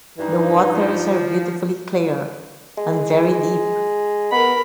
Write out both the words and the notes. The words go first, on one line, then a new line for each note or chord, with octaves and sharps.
The waters are beautifully clear, and very deep.
G2 E3 D#4
F3
G#3
B3 A#4 B5